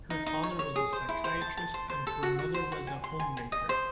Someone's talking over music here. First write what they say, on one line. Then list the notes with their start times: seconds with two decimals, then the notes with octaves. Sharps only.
Her father was a psychiatrist and her mother was a homemaker.
0.10 D#4
0.26 D#4
0.43 C#5
0.59 C#5
0.76 G#4
0.93 C5
1.09 E4
1.24 C5
1.41 A5
1.57 A5
1.74 C5
1.90 C5
2.07 A4
2.23 F#4
2.39 F#4
2.54 C5
2.72 F#4
2.87 G#5
3.04 C6
3.20 G#5
3.37 G#5
3.52 D#5
3.69 C5